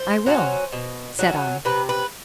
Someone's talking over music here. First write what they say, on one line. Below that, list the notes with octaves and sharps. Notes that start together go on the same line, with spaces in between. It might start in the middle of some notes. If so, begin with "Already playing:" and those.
"I will," said I.
Already playing: C5
F#3 A#3 C#4
B2
F#3 A#3 C#4
C3 B4
B4